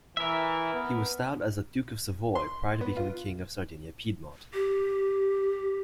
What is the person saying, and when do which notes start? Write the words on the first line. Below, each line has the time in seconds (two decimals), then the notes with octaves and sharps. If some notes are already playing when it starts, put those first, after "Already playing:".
He was styled as the "Duke of Savoy" prior to becoming King of Sardinia-Piedmont.
0.17 E3 A#4 E5
0.73 B3
2.35 C6
2.81 B3
2.97 F4
4.53 G4